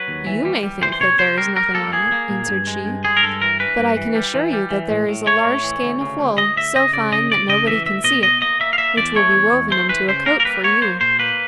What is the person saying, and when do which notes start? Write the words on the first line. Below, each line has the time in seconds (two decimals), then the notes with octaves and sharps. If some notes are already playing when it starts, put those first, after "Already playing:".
'YOU may think that there is nothing on it,' answered she, 'but I can assure you that there is a large skein of wool, so fine that nobody can see it, which will be woven into a coat for you.'
Already playing: F#3 B4
0.08 D#2
0.27 E3
0.45 G3
0.63 G3
0.82 E3 C5
0.92 C5
1.00 C3 C#5
1.19 C3 C5
1.37 G3 A#4
1.56 G3 A#4
1.75 A#3 A4
1.93 A#3 G#4
2.12 A#3
2.30 A#2
2.48 G2
2.67 G#3
2.85 G2
3.05 G#3 G#4
3.17 A#4
3.23 G2 A4
3.41 E3 A#4
3.60 E3 B4
3.78 G2
3.97 E3
4.15 G3
4.34 E3
4.53 G3
4.71 E3
4.90 A2
5.09 A2
5.27 A3 C#5
5.45 A2
5.64 E3
5.83 D2
6.01 C#3
6.19 D2
6.37 D2 D#5
6.56 D2 E5
6.75 C#3 D#5
6.93 C#3 D5
7.12 C#3 D#5
7.31 D2 D5
7.49 C#3 D#5
7.67 E3 E5
7.86 D2 E5
8.04 B2 D#5
8.22 B2 D#5
8.42 A#3 D#5
8.60 A#3 E5
8.73 F5
8.78 A#3 E5
8.97 E2 D5
9.15 A3 C#5
9.35 E2
9.52 E2
9.71 A3 C5
9.89 E3 B4
10.08 C#3 C5
10.26 A#3 A#4
10.40 A#4
10.45 G3 B4
10.64 A#3 C#5
10.82 A#3 C5
11.01 A#2 C5
11.19 A#3 B4